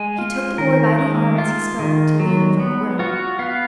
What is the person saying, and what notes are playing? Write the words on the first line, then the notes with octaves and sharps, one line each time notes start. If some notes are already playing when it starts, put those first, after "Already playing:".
He took the boy by the arm as he spoke, to lead him from the room.
Already playing: G#3 G#5
F4
D#3 A#4
G#3
F4
D#3
F#3
B3
F4 F#4
B3 F5